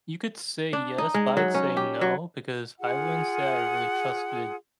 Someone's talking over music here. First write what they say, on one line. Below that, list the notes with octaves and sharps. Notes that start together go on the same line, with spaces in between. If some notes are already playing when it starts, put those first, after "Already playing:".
You could say "yes," but I'd say "no" because I wouldn't say I really trusted,
D4
D#4
G#3
F#3
C#4
G4
F#3
F4 G#4 F#5